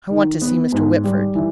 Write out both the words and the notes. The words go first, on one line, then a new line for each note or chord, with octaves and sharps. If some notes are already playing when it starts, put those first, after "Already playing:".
"I want to see Mr. Whitford."
D#3
B3
G#2
G3
E3